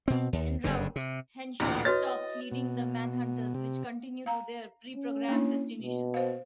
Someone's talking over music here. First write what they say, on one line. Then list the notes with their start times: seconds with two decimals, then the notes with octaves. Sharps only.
En route, Henshaw stops leading the Manhunters which continue to their preprogrammed destinations.
0.08 B2 C4
0.33 D#2
0.64 F#1 G2 D3
0.96 C3
1.60 A1 D2 A#2 E4
1.85 F#4 B4 C#5 D#5 A6
2.51 B2
3.54 C3
4.26 F5 A#5
4.96 C#4
5.28 A#3 D4 E4
5.82 B2
6.14 C5 F5